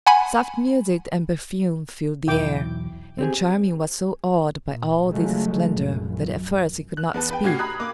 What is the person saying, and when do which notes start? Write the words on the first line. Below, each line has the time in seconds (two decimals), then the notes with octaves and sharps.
Soft music and perfume filled the air, and Charming was so awed by all this splendor that at first he could not speak.
0.06 F#5 G#5 B5
2.27 B1 E2 E4 G5 D6
3.18 C4 G4 G#4
4.69 A#2
5.11 C#3 F3 F#3 G#3 A3
5.68 A#1 F#2
6.97 F#6
7.14 E2 B3 A5
7.31 B4 G5
7.44 A2 C#4 F#4 G4 G#6 C7
7.59 A#5 B5 D#6 F#6
7.80 A#3 D6 D#6